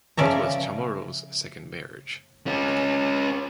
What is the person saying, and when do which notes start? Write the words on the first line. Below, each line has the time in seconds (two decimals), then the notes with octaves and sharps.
It was Chamorro’s second marriage.
0.17 C#3 F3 C#4 D5 E5 A#5
2.47 C#4 F4